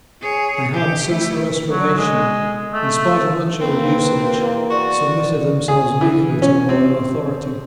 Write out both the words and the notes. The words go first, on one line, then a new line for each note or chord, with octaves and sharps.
They had, since the Restoration, in spite of much ill usage, submitted themselves meekly to the royal authority.
G#4 C#5
G4
A3 E4
F#3
G#3
A3
E2 A#3 C4 B4
F#4 D5
G#4
E3
C#4
C4